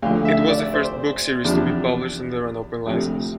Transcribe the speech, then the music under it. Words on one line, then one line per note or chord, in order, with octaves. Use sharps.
It was the first book series to be published under an open license.
D2 D3 F3 F5
E5
D5
C5
E2 C3 F3 D4
D2 C3 F3